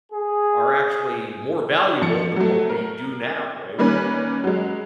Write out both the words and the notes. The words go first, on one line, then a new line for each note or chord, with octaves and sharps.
are actually more valuable than what we do now, right?
G#4
F3 C#7
F#3 A3
A#4
D#3 G3 A#3 C#4 B4
F#3 G#3